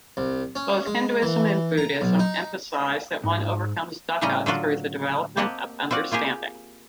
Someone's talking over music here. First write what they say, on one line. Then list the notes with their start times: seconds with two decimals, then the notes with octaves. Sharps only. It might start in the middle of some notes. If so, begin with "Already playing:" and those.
Both Hinduism and Buddhism emphasize that one overcomes "dukha" through the development of understanding.
0.17 C2
0.56 C#4
0.86 G#3
1.22 E3
1.78 A#5
2.01 B1
2.19 D#4
3.24 G#2
4.21 A2 C#3 G3 C#4 D#5 A#5
4.46 D3 F#3 F4 F#4
5.37 A#3 C4 G4 D#5 F#5 A5
5.91 C4 F4 F#4 D5
6.12 A#3 F4 G4 G#4